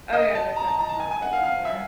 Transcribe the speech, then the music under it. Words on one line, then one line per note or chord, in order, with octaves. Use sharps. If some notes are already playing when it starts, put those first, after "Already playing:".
Oh yeah, they're definitely not as good anymore.
D#5
D#5
A5
A#5
A5
A#5
A5
G#5
G#5
F#5
F5
F5
E5